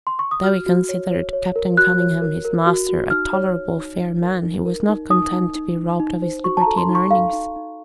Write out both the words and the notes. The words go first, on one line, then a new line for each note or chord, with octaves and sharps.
Though he considered Captain Cunningham, his master, a "tolerable fair man," he was not content to be robbed of his liberty and earnings.
C6
C#6
D#6
F#4 F6
F#4
C#5
C#5
C#5
A#4
F#4 F#6
C#5
A#4
A#4
F#4
F#4
D#4 F6
C#5
C#5
D#4
D#4
A#4
D#4
A#4
D#4
D#4 D#6
D#4
D#4
D#4
D#4
C5
F#4 C#6
A5
A#5
A4
C6
D#4
C#6
A4 F5
D#4
D#4